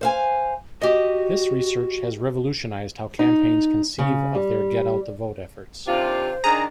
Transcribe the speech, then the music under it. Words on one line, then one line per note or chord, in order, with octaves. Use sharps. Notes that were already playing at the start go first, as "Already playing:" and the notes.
This research has revolutionized how campaigns conceive of their get out the vote efforts.
C5 F5 G#5
F#4 G4 D#5
D#4
C#3
G3
D#2 C3 D4 F4 C5
D#3 D4 G#4 A#5